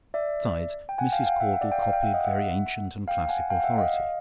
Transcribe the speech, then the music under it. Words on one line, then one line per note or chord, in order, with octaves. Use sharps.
Besides, Mrs. Caudle copied very ancient and classic authority.
D5 E5
G5
F#5 G#5
F5 G5
F5 G5
E5 F#5
D5 E5
F5 G5
F5 G5
F5 G5
E5 F#5
D#5 F5
E5 F#5
F5 G5
F#5 G#5
F5 G5
E5 F#5
D#5 F5